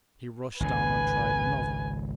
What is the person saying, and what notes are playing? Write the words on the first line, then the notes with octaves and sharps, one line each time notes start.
He rushed on and tried another.
G#1 C#2 A2 B4 G#5